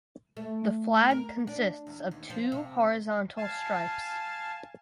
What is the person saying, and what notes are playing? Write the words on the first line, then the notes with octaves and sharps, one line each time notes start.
The flag consists of two horizontal stripes.
A3
A#4
D4
E2
D#2
F3
C3
F5 G#5 A5